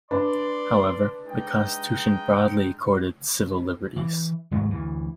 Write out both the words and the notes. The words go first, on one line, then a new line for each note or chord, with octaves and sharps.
However, the Constitution broadly accorded civil liberties.
D4 B4 D5 C6
G#3 D#4 G5
E3
D#2 G#2 F#3 A3
D2 E3